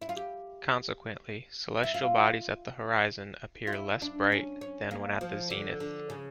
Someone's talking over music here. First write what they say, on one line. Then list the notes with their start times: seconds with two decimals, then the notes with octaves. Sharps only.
Consequently, celestial bodies at the horizon appear less bright than when at the zenith.
0.01 E4
0.09 F4
0.16 G4
1.84 E4
1.94 F4
3.67 F4
3.73 E4
4.02 D4
4.32 C#4
4.61 C#4
4.91 A#3
5.21 F3
5.50 D3
5.80 D3
6.10 C#3